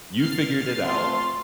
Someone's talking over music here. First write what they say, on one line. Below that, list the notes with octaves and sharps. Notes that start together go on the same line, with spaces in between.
you figured it out,
F6 A6 C7
A3 C4 F4 C6